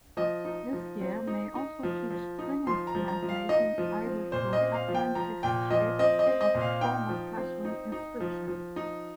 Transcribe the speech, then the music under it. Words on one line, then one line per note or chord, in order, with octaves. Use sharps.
Luthiers may also teach string-instrument making, either through apprenticeship or formal classroom instruction.
F3 D#5
D#4
F3
C4
D#4
D#4
F3
F3
D#4
F3 C6
A#5
F3
A#5
F3
F5
D#4 D#5
F3
C4
A#2 C5
D#5
C4
F5
F3
G5
F3 A#5
A#2 G5
F3 D#5
C4 D#5
D#5
C4
D#5
A#2
F5
D#4 G5
F3
C4
D#4
D#4
F3
F3
D#4